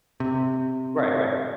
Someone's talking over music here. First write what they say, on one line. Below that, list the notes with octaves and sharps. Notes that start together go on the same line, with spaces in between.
Right, right.
C3